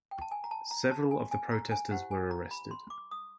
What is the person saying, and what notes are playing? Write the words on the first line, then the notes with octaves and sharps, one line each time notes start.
Several of the protesters were arrested.
G5
A5
G#5
A#5
A5
A#5
A5
G#5
G#5
A#5
G#5
E4 G4 C5 F#5
G#5
A#5
B5
C6
D6
D#6